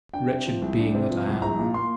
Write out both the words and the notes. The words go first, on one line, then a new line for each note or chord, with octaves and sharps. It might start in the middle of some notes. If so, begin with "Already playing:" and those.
Wretched being that I am!
D4 G5
C3
F3
C2
D4
C3
F3
C2
A#1 A#5
A#2
A#3 C6